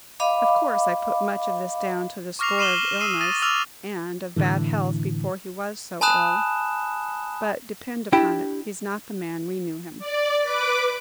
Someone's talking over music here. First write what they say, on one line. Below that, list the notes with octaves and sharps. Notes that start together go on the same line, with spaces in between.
Of course I put much of this down to the score of illness, and of bad health before he was so ill; but, depend upon it, he's not the man we knew him.
D#5 F5 B5 D6
C#6 D6 F6 A#6 C7 F7
F6 C7 D#7 E7 F#7 G7
D#6 E6 C7 D#7
D#6 A6 A#6 D#7
D6 E6 F6 F7
A2 D3 E3
G#5 A5 B5 D#6 F#6 E7
D4 E4 G4 G5
D5
B4 D6